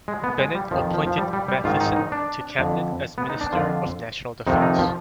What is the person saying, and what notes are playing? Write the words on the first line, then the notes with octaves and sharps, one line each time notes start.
Bennett appointed Matheson to Cabinet as Minister of National Defence.
G#3
B3
G#3
G3
F2 D#3 F3
F3
F3
G3
G3
G3
G#2 D#3 F4
D#4
D#4
D4
F2 D3
B3
D#4
D4
F2 D3 F4
F2 C3 D#3 D#4
D#4
F3